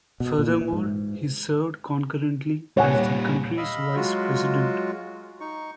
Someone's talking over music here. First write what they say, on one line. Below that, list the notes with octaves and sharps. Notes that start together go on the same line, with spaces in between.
Furthermore, he served concurrently as the country's vice president.
B2
A#2
E3
G#2
A#2 G3 C#5 F#5 G#5
D#5 F5 B5 E6
F#3 G#3 F4 F#4
D#4 C#6